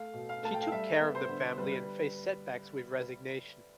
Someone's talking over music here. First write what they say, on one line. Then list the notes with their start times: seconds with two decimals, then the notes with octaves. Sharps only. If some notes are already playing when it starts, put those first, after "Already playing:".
She took care of the family and faced setbacks with resignation.
Already playing: A3 F5
0.14 B2
0.29 F5
0.43 A3 A5
0.54 G5
0.62 F5
0.71 G3 E5
1.00 B3
1.15 C5
1.29 D3
1.58 G3 B4
1.72 B4